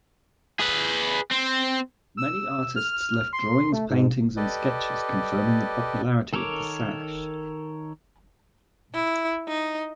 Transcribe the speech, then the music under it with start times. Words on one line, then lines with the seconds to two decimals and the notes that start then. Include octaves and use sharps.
Many artists left drawings, paintings and sketches confirming the popularity of the sash.
0.60 G#4 B4
1.31 C4
2.17 E6
2.76 F6
3.33 C6
3.72 A3
3.90 G#2
4.37 G4 A4 B4 D5 D#5
6.33 D#3 A4 A#4 C#5 D6
8.95 E4
9.48 D#4